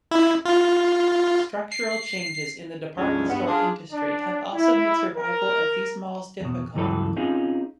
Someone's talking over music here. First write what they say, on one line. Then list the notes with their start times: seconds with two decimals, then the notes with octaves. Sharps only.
Structural changes in the department-store industry have also made survival of these malls difficult.
0.11 E4
0.45 F4
1.72 C7
2.96 D2 G#2 F3 G#3 C#4 D4
3.29 G2 B3
3.47 D4 F4 G#4
3.93 D4
4.54 E4
5.17 A#4
6.41 E2 B2
6.75 C#2 G2 E3 F#3 A4 B4
7.16 C4 C#4 D#4 F4 G#4